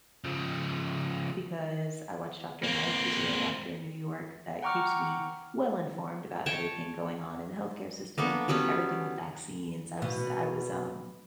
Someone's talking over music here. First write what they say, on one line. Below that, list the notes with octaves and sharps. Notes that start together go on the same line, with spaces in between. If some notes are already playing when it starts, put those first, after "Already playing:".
because I watch Dr. Mike. He's a real doctor in New York that keeps me well-informed about everything going on in the healthcare system, everything with vaccines. I was I was, um,
C#3 F3
A#3 C4
F#5 G5 A#5 C#6 D6 F6
C#5 G5 A5
A#3 B3 D4 A4
F#3 G3 B3 C#4
B2